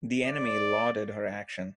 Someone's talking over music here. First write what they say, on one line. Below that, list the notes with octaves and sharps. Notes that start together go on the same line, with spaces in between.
The enemy lauded her action.
D5